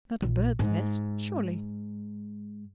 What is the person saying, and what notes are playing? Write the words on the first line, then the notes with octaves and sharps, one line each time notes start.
Not a bird's nest, surely.'
A#1
G#2